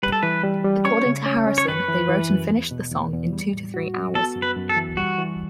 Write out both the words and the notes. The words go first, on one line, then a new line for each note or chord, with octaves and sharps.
According to Harrison, they wrote and finished the song in two to three hours.
G3 B4
A4
E3 B4
G3
G3
C#4 C#5
C#3
C#4
C#4
C#5
F#2 B4
E3
E3
F#2
E2
B2
E2
E2
G3
A2
F#4
F#4
B3 A4
F#2
B4
F#2
A4
E3
G3 F#4
E3